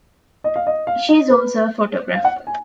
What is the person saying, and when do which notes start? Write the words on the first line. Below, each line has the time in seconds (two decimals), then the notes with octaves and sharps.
She is also a photographer.
0.44 D#5
0.56 F5
0.67 D#5
0.87 F5
1.09 D#5
1.30 B4
2.14 F5
2.24 F#5
2.47 G#5